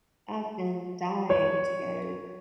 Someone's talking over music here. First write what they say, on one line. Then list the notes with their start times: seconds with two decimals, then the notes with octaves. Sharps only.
I've been dying to go.
1.30 C#5